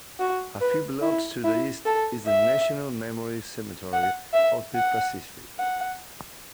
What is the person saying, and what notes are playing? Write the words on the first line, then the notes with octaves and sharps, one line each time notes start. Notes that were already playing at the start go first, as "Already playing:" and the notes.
A few blocks to the east is the National Memorial Cemetery of the Pacific.
F#4
B4
E4
E4
A4
E5
F#5
E5
F#5
F#5